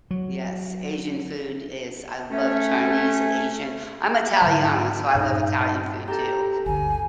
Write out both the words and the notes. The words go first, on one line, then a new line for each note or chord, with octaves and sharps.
Yes, Asian food is I love Chinese, Asian I'm Italiano, so I love Italian food too,
F#3
A3 C#4
G#2 D3 F#3
G2 A#2 D#4
G4 A4 A#5
G1 D2 D3 G#5